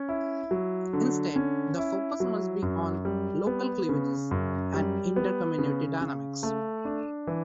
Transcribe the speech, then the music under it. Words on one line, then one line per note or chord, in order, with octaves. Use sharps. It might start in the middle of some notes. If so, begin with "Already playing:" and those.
Instead, the focus must be on "local cleavages and intracommunity dynamics".
Already playing: C#4
E4
F#3
D3
C#4
E4
F#3
F#2
G3
B3
C#3
F#2
G3
B3
C#3
C#3
A3
D4
E3